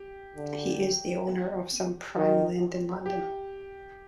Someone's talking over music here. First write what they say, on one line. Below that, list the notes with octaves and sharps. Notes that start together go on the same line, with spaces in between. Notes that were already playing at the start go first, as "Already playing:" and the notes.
He is the owner of some prime land in London.
Already playing: G4
D3
D#3
G4